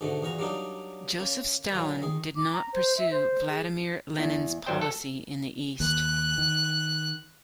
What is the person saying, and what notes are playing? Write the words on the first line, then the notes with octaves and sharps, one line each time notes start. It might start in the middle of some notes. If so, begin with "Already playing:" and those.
Joseph Stalin did not pursue Vladimir Lenin's policy in the East.
G#2 B2 D3 A3
E2 A#2 F#4 A#5
F#3 G3 A#3 D4 D#4
A#3 C#4
A#2 F#3 A#3
D#3 G#4
D6
A#5
C5
E5
C5
G#4
E2
G1 F#3 G3 C5 G5
A4
D#2 F#6
D#3